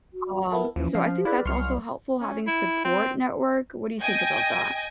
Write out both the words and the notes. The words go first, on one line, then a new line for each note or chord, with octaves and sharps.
um, so I think that's also helpful having a support network, what do you think about that?
F#4
B3 E4 A4 A#4
D#2 E3 F3 C#4
F3 F5
E4 G#4 B4 D5 F5
C2 F#3 C6 C#6 F6
C#4
E4
C4
D#5 G5 G#5